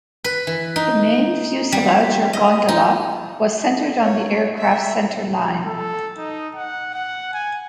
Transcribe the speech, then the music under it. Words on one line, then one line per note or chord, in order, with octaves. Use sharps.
The main fuselage, or gondola, was centered on the aircraft's centerline.
B4
E3
D#4
G3
D#5
D#4
C#5
E5
A4
D#4
F#5
F#5
G#5